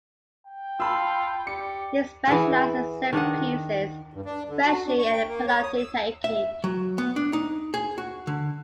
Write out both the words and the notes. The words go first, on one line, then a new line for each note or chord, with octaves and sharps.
He specialized in set-pieces, especially at penalty-taking.
G5
F4 A5 B5 E6
G4 D5 C#7
E3 G#4 F#5
D#3 D4 D#5 F#5
G2
D4
D3
F#4
D4
C#6
G5
A#3
C#5
D#6
E6
E5
F#3
B3
D4
D#4
G#4
F#4
D3